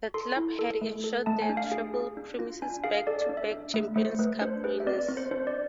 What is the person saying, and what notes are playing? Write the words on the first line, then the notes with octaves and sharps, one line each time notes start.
The club had ensured the treble: Premiers, Back to Back Champions, Cup Winners.
A4 C6
E4
A4
A3
A4
A3 A5
G#5
D4
F5
G#4
G#4
D4
F4
D4 G#5
G#4 F5
A4 D5
D5
D4
E5
D4 E5
A3
A3 C5
A3 B4
D4 C5
G#4 B4
E5
C4 D5
C4
C5
D4 C5
D5